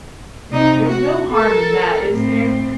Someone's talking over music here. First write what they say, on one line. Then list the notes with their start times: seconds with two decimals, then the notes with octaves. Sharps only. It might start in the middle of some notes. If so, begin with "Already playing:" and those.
There's no harm in that, is there?
0.51 C3 D#4
0.86 F#4
1.31 A4 A#4
2.09 A2 C4